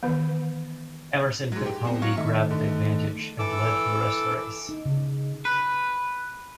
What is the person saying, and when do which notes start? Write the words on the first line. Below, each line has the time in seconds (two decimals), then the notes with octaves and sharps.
Emerson Fittipaldi grabbed the advantage, and led for the rest of the race.
0.03 D#3 E3 B3
1.52 G#2 F#3
1.66 G4
1.85 B2 C4
2.02 F#3 F5 C#6
2.17 D#3 A3 E5
2.50 D3
3.39 E3 A4 D6 E6
4.69 D#4
4.86 C#3
5.45 B4